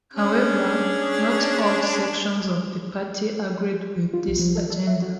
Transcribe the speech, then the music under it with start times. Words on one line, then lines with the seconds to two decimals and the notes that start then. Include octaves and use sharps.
However, not all sections of the party agreed with this agenda.
0.14 C#4 D4 G#4
4.14 F4
4.28 B1
4.39 F3
4.55 A4
4.70 A4
4.87 E5
5.02 F#4